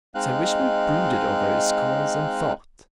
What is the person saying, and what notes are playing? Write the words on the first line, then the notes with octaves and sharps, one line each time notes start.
Sir Richmond brooded over his sculls and thought.
G#3 C4 D#4 F5 F#6